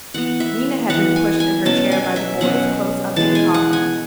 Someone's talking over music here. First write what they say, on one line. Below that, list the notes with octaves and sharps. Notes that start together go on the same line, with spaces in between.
Nina had been pushed in her chair by the boys close up to the coffin.
E3 B3 F#5
E5
E3 B3 F#5
G#5
G#5
B2 F#3 C#4 A5
G#5
E5
B2 F#3 C#4 F#5
E3 G#3 B3 A5
G#5
F#5
G#5